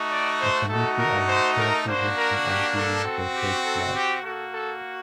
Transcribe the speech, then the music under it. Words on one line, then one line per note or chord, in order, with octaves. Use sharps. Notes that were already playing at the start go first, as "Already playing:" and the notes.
The committee are currently working on gaining their third flag.
Already playing: A3 D#4 F#4
D5
C5
A3 D#4 F#4 A4
A#4
C5
A#4
A#3 D4 F#4 C5
A#4
G4
A4
C4 F#4
G4
A4
G4
A#3 F#4 A4
A4